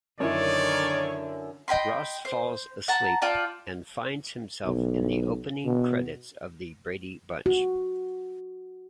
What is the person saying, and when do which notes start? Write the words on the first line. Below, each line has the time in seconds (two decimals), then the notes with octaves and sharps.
Ross falls asleep, and finds himself in the opening credits of The Brady Bunch.
0.20 F#2 D3 D#3 E4 C#5 D5
1.68 D#5 G5 B5 C6
2.25 C5
2.88 F#5 A5 A#5
3.22 F4 D5 G5 A5
4.65 B1
5.65 B2
7.46 F#4